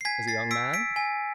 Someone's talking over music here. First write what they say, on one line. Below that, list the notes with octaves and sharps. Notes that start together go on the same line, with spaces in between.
"As a young man?"
C7
G#5 G#6 B6
A6 C7
E6 B6 D7
B6 D7
G#5